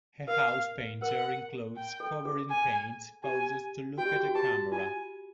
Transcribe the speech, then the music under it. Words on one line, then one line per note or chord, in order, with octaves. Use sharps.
A house painter in clothes covered in paint pauses to look at the camera.
A#4 F5
A#4 F#5
G5
A4
G#4
G#5
G4 G#5
F#4 G5
G4
F#4
G4
F#4
G4 A5
F#4
F4 G#5